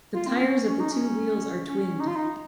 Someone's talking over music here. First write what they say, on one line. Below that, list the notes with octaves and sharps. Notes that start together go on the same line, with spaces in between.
The tires of the two wheels are twinned.
F4
C4
C#4
C#4
D#4
C#4
C#4
D#4
F4
D#4